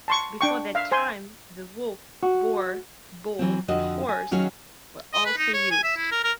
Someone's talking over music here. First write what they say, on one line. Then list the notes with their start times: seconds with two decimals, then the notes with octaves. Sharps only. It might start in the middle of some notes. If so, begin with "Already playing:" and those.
Before that time, the wolf, boar, bull and horse were also used.
0.08 A5 C6 C#6
0.41 D4 G5 C#6
0.75 E5 F5
0.92 C5 G#5 C6
2.23 F#4
3.39 E3 F#3 C4
3.68 F2 D3 F#4 D#5
4.09 G#5
4.31 D#3 F#3 C#4 F#4 G#4 F5
5.13 D#5
5.26 B4
5.37 D#4
5.54 C#5
5.70 G#5
5.84 E5
5.96 E4
6.11 A#4
6.24 A#4